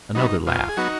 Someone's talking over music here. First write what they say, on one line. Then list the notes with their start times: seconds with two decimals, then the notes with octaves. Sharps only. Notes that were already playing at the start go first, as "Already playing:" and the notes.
Another laugh.
0.15 F#3 B3 D#4
0.47 B2 F4
0.69 G#4
0.77 F#3 B3 D#4 F#4